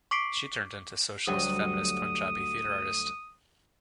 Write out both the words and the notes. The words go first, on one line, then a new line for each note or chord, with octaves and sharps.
She turned into socialist feminist Punjabi theatre artist.
C#6 D6 B6 C7 D7
D2 F#3 G3 D#6